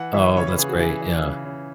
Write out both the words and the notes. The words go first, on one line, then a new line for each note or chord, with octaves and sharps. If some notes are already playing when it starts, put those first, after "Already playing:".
Oh, that's great, yeah.
Already playing: E3 F#5
E3 E5
C#3 C#5
B4
C#3 G#4
F#4
E3 G#4
E3
C#3
C#3